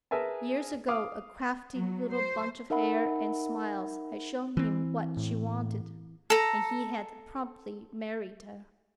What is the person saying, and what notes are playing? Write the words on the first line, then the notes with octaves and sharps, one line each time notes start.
Years ago a crafty little bunch of hair and smiles had shown him what she wanted, and he had promptly married her.
G#4 A#4 B4 E5 G#5 A5
F5 D6 D#6
F#3
C5
D#4 A#4 E5 F#5 B5
E3 C4
A2
A4 A#5